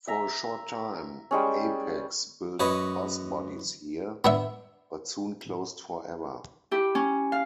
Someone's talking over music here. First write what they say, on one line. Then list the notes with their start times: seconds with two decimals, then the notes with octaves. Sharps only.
For a short time, Apex built bus bodies here, but soon closed forever.
0.07 E5 A#5
1.31 G3 G#3 C#4
2.60 F#2 B4 C#5 D#5
4.25 B3 D4 E5
6.71 E4 G4
6.95 C#4
7.32 F5